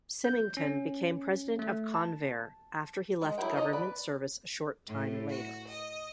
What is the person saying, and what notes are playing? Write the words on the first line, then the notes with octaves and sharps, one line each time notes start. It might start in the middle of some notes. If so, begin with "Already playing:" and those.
Symington became president of Convair after he left government service a short time later.
G6
C#4
A3
A5
G#3
F#3 E4 G#4 B4 G5
D#4 A4 C#5 D#5
B4 D5
A2
F#4
D#5